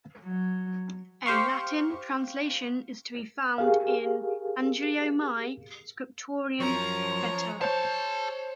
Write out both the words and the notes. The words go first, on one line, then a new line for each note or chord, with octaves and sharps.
A Latin translation is to be found in Angelo Mai, Scriptorum Veter.
F#3
G4 C5 F5 C#6
G4 G#4 A#4 F5
F#2 F3 C#5 A#5
G#4 C5 C#5 A5 G6